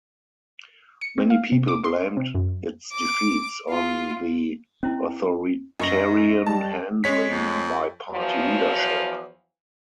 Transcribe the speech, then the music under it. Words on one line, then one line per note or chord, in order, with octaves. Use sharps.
Many people blamed its defeats on the authoritarian handling by party leadership.
C#7
C4
F5
C3
D6
C6
C3
F#2
D6
F4
C4 C#4 E4
F#2 D#5 C#6 A#6
G3 A5
G#3 C#5 B6
F2
E2 F3 F#3